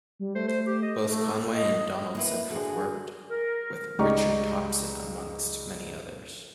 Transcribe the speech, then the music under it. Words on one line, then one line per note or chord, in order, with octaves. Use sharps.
Both Conway and Donaldson have worked with Richard Thompson, amongst many others.
G3
A3 C5
C5
G4
D#5
A3
D#5
A#3 E4 B4
D3 F#4 G#4
A#4
C#2 D#4 G4 D5 A#5 C#6